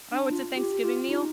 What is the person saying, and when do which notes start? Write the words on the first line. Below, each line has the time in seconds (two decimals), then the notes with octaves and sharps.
Oh, it's a Thanksgiving meal?
0.11 D4
0.31 F4
0.57 G4
0.84 F4
1.10 D#4